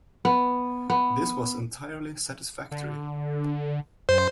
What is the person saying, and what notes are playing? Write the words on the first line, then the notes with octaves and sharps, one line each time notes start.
This was entirely satisfactory.
B3
B3
D3
F#2 C5